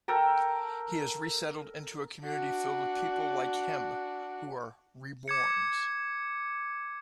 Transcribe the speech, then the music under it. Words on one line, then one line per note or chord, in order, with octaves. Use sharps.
He is resettled into a community filled with people like him who are "reborns".
A4 A#4 G5 A#5
D4 F#4
D6 G#6 C#7